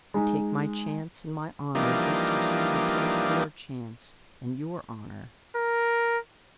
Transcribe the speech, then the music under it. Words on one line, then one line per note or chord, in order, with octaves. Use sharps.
I take my chance and my honor just as you would take your chance and your honor.
G#3 D#4
E3 F3 G3 A#3 D4 D#4
A#4